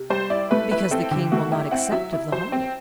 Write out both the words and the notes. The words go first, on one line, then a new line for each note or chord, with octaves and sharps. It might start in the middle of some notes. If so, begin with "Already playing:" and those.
"Because the king will not accept of the whole."
Already playing: C3
G3 C5
E4 D5
A3 B4
E4 B4
C4 A4
D3 G4
A3 F#4
E4 G4
C4 F#5
F#3 E5
E4
F#3 C5
C4